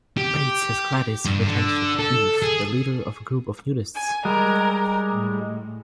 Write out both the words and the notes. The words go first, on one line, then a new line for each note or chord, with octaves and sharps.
Bates has Gladys pretend to be "Eve", the leader of a group of nudists.
G4
G2
D3
A4
G#4
G#5
G3 G#3 A#4
A2